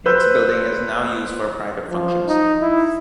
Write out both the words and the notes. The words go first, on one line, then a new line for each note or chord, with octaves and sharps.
Its building is now used for private functions.
B4 C5 E6 G6
F3
D#4
E4